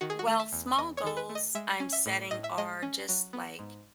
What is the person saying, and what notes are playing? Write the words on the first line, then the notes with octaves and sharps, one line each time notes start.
Well, small goals I'm setting are just, like,
D#3 F#4
G#4
F#4
A3
E5
E2
E2 D#5
C#5
D#3 A4
B4
A3
D#5
G#3 E5
C#4
E5
A2
A2 D#5
E5
G#3 D#5
C#4
F#3
B3
G#2